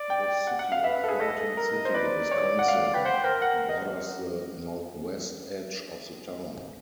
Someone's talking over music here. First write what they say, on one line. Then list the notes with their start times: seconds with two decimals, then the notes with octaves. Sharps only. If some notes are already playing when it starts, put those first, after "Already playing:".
The city of Fountain City, Wisconsin, borders the northwest edge of the town.
Already playing: D5
0.10 G5
0.47 F#5
0.59 F#5
0.72 F5
0.84 B4 E5
1.04 A4
1.09 G#4
1.20 A4 D#5
1.57 A#4
1.85 C5 D#5
1.94 B4 D5
2.31 C#5
2.59 F#5
2.68 F5
2.94 B4 G5
3.05 C5 F#5
3.24 A#4 G5
3.42 F#5
3.69 D#5